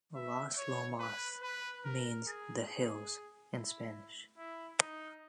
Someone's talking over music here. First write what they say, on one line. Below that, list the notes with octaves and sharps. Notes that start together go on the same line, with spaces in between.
Las Lomas means "the hills" in Spanish.
E5
C#5
B4
B4
A#4
G#4
G#4
E4
E4
D#4